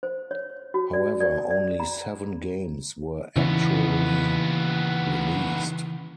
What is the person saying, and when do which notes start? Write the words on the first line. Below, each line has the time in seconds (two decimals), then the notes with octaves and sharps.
However, only seven games were actually released.
0.03 C5
0.31 C#5
0.74 F#4
0.93 D5
1.20 D5
1.50 D5
1.80 A#5
3.36 D#2 C#3 E3 B3